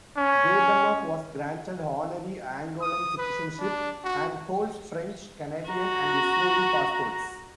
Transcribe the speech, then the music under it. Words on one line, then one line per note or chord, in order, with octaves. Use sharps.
Gaydamack was granted honorary Angolan citizenship and holds French, Canadian and Israeli passports.
C#4
D#6
B4
D4
F#4
F#4 A#5